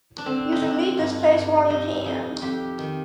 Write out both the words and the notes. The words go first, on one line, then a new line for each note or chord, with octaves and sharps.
You should leave this place while you can.
D4
D3 C4
D#4
D3 D4
G2 F4
G2
C3 D#4
F2 D#4
F2 G4
D#3